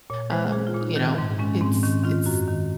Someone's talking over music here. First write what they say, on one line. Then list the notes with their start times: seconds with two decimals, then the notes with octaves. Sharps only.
um, you know, it's it's
0.10 A#2 C#5
0.31 G#3 C5
0.52 A#2 G#4
0.67 F4
0.74 A#2
0.81 D#4
0.96 D#3
1.18 G#2
1.39 G#3 C#4
1.61 G#2 C4
1.83 D#3 C#4
2.04 D#3 F4
2.26 F#2 F#4
2.48 D#3